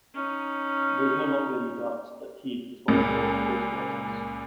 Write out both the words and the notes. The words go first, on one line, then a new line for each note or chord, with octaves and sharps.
There's no longer any doubt that Heath is one of the world's best writers.
C#4 D#4
C#2 A#2